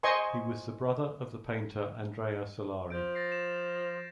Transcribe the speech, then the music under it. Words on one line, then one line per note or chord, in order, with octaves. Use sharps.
He was the brother of the painter Andrea Solari.
C5 D#5 G#5 C6 C#6
F3 G6 D7
A6 A#6 C7
E7